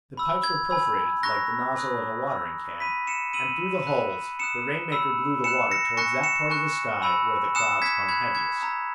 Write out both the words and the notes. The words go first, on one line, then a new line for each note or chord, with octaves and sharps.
The pipes were perforated like the nozzle of a watering-can, and through the holes the rain-maker blew the water towards that part of the sky where the clouds hung heaviest.
B5 E6
G#6
G#5 B5 E6
A#5 C#6 F#6 A#6
G#5 B5 D#6 F#6
B5 E6
B5 F#6 B6 D#7
C#7 E7
B5 E6 D#7 F#7
B5 F#6
A#5 D#6 F#6 C#7 E7
B5 E6
G#5 B5 F#6 C#7 E7
A#6 C#7
G#5 C#6 F#6 A#6 C#7
C#7 E7
G#5 C#6 F#6
G#5 B5 E6
G#5 D#6 F#6 C#7 E7
G#6 B6
B5 F#6 G#6
G#6
A#5 E6